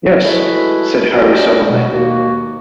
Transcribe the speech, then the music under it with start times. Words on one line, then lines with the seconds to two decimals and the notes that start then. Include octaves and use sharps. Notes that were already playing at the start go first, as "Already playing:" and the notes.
"Yes," said Harry sullenly.
0.24 G#3 A3 E4 F#4 B4
1.15 C#4 D4 F#4 G4 D#5 G5
1.69 B2
1.93 D#2 A#3 F#4